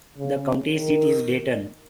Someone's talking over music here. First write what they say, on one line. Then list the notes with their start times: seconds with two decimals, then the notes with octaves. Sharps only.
The county seat is Dayton.
0.17 C#3
0.72 D#3